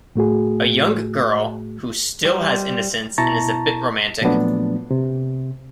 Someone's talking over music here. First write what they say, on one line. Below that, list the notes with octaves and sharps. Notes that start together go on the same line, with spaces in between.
A young girl who still has innocence and is a bit romantic.
A2 A3 F#4 G#4
G3 C5
B2 E4 A5 A#5 C#6
A#2 F3 F#3 A3 B3 D4
C3